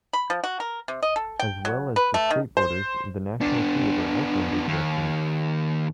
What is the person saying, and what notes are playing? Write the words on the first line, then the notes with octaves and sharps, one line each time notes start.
As well as the skateboarders, the National Theatre also had objections.
B5
F3
F#4
A#4
C3
D#5
A4
G5
F#3
B4
A3
D#3
C5
B3 D4
D#2